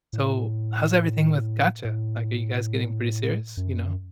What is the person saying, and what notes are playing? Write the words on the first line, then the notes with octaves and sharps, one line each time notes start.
"So, how's everything with Katya, like, are you guys getting pretty serious?" You know,
A2
A2
F#2